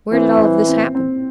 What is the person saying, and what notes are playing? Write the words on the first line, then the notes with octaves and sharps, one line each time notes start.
"Where did all of this happen?"
E3 C4
C4
C4
C4